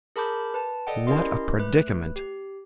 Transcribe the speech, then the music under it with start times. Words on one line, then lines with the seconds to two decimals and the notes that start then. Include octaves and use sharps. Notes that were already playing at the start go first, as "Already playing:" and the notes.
What a predicament!
0.16 G#4 A#4 A5 B5 D6 G6
0.54 B4 A5
0.87 A4 D5 D#5 F#5 G5
1.07 C#4 E4 G4 A#4 D#5 C6
1.59 A3 B4 F#6
2.16 G4